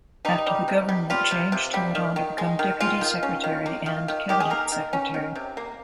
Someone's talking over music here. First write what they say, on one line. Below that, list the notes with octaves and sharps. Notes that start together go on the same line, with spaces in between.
After the government changed he went on to become Deputy Secretary and cabinet secretary.
G3 D#4
G3
C3
G3
G3 F4
C3
C3
G3
D#3
D#3
G#3
D#3
G#3 F4
D#3
C#4
D#3
A#3
D#3
D#3
D#3 G4
G#4
A#3 A#4
D#3
C#4
D#3
C3
A#3